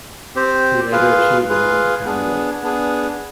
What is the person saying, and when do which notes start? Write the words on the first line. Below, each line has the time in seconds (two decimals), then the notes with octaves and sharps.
He later achieved the rank of commodore.
0.35 C4 G4 C5
0.91 F4 G#4 B4 F5
1.49 F4 G#4 B4 F5
2.05 B3 D4 G#4
2.62 B3 D4 G#4